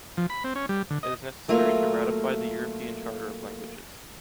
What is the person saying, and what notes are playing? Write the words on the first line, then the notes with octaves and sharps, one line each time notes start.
It is necessary to ratify the European Charter of languages.
F3
B5
C4
C#4
G3
D3
D#5
F#3 A3 A#3 F4